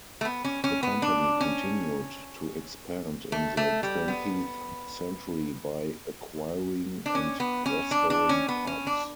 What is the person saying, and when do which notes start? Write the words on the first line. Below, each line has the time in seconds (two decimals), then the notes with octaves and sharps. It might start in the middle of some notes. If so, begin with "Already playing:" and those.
The company continued to expand in the twentieth century by acquiring and restoring pubs.
0.21 A3
0.25 B3
0.45 C#4
0.64 C#4
0.83 B3
1.02 D4
1.41 C#4
3.32 A3
3.57 A3
3.83 G3
4.08 B3
7.06 D4
7.15 C#4
7.40 B3
7.66 C#4
7.91 D4
8.10 D4
8.29 C#4
8.48 B3
8.67 C#4
8.87 D4